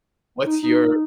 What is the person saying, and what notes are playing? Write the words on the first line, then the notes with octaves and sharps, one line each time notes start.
What's your
D#4
D#4